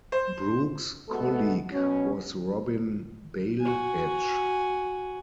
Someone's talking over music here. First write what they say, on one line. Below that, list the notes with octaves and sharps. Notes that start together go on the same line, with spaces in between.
Brooks' colleague was Robin Bailhache.
C5
G#3 A3 B3 F#4 A4
B2 F#3 C#4
F#4 G#5